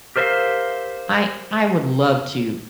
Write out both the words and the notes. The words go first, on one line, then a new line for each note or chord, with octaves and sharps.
I I would love to,
G4 A#4 C5 C#5 E5 F5